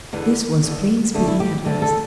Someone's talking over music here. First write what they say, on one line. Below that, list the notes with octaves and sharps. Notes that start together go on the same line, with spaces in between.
This was plain speaking at last.
E2 D3
E2 D3
D2 D3 A3
E4
G4
D2 D3 A4
A4